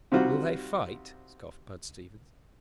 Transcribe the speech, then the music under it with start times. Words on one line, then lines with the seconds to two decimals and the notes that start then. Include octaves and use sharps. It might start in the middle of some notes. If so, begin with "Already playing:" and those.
"Will they fight?" scoffed Bud Stevens.
0.12 C3 D#3 G3 C4 F4 F#4